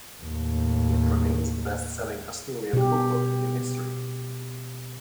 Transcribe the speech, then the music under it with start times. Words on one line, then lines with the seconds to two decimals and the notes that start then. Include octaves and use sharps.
It remains the best selling Asturian cookbook in history.
0.23 D#2 A2
2.73 B2 G4